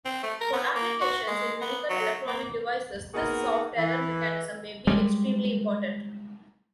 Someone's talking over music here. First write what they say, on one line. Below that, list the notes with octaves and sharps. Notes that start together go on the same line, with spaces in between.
For applications in medical electronic devices this soft error mechanism may be extremely important.
C4
A3
A#4
B3
A#3
F#4
G#3
B3
F#3
A#3
A#3 B3 D#4 F#4 G#4 A#4
E3
G3 G#3